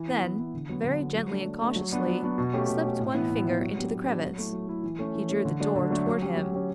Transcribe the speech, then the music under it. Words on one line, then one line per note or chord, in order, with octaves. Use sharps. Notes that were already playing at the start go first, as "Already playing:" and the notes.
Then, very gently and cautiously, slipping one finger into the crevice, he drew the door toward him.
Already playing: E3
B3 E4
E3
B3 E4
D3
F#3 B3
D3
F#3 B3
F#3
A3 D4
F#3
A3 D4
F#3
B3 D4 F#4
F#3
B3 D4 F#4
B2
A3 C#4 G4
B2
A3 C#4 G4
A2
E3 B3 E4
A2
E3 B3 E4
F#3
B3 D4 G4
F#3
B3 D4 G4
F#3
A3 E4
F#3
A3 E4
E3
A3 C#4
E3
A3 C#4
D3
F#3 A3 D4
D3
F#3 A3 D4
F#3
C#4 G4
F#3
C#4 G4